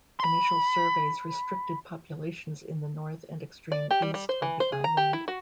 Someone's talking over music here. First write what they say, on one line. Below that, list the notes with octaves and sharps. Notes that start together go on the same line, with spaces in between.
Initial surveys restricted populations in the north and extreme east of the island.
B5 C6
D5
G4
G3
G3
C5
E3
C5
G#4
A#5
G4
E4
F#4